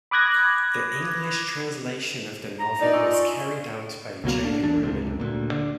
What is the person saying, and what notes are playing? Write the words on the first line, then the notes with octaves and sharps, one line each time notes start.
The English translation of the novel was carried out by Jay Rubin.
B5 D6 D#6 F#6 G#6 A#6
A#5
D4 D#4 D5
F4 G#5 C#6 E6
C#6
C#2 B2 F#3 A#3
F#1 D4
E2 D4
C#2 G#2 C3
D2 A#2
D3